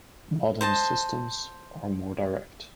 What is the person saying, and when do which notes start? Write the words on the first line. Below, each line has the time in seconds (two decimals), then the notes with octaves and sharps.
Modern systems are more direct.
0.61 C5 D#5 A5